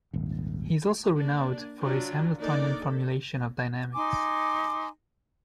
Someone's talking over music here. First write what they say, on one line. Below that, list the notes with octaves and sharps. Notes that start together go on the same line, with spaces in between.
He is also renowned for his Hamiltonian formulation of dynamics.
D#1 G#1
A#3 D4
F#3 D4 F4
A#3 D4 D#4 A4 A#4 D5
A4
D#4 G#5 C6 D6